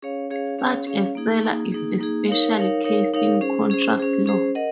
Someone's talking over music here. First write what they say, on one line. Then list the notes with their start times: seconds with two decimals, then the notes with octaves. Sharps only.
Such a seller is a special case in contract law.
0.02 C#4 G#4 C#5 F5
0.30 C#4 G#4 C#5 F5
0.58 C#4 G#4 C#5 F5
0.87 C#4 G#4 C#5 F5
1.15 A#3 D#4 G#4
1.44 A#3 D#4 G#4
1.72 A#3 D#4 G#4
2.00 A#3 D#4 G#4
2.28 D#4 A#4 C#5 F5
2.57 D#4 A#4 C#5 F5
2.84 D#4 A#4 C#5 F5
3.14 D#4 A#4 C#5 F5
3.41 C#4 G#4 C5
3.70 C#4 G#4 C5
3.98 C#4 G#4 C5
4.26 C#4 G#4 C5
4.55 A#4 D#5 F#5